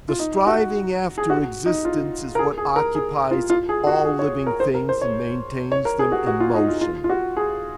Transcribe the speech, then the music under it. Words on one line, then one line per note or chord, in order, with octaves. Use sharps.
The striving after existence is what occupies all living things and maintains them in motion.
F4
D#4
F#4
G#4
F#4
D#4
F4
A#4
G#4
G#4
A#4
G#4
F4
F4
G#4
F#4
G#4
C#5
A#4
C5
A#4
C5
C#5
C#5
A#4
G#4
F#4
F#4
F4
D#4
F4
F4
F4
F#4
G#4